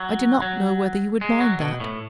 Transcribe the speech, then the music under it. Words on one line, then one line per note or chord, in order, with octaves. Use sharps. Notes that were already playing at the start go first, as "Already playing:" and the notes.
I do not know whether you would mind that.
Already playing: F#3
F#3
G#3
F#3
B2
A2